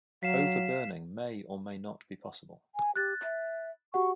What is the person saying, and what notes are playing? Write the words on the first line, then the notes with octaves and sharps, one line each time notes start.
Overburning may or may not be possible.
F#3 F5 B6 C7 E7
G#5
G4 F#6 A6
E5
F#4 G4 F#5 C#6